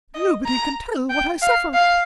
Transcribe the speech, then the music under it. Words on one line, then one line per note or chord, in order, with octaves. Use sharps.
Nobody can tell what I suffer!
D#5
A#5
G5
F5
F5